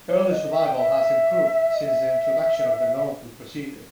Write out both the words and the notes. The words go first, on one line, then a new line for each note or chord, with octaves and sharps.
Early survival has improved since the introduction of the Norwood procedure.
C#5
D#5
E5
G5
E5
D#5
E5